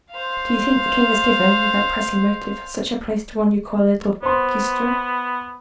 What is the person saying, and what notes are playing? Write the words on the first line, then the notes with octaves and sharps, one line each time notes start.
"Do you think the king has given, without pressing motive, such a place to one you call a little cuistre?"
C5 F5
B3 C5 C6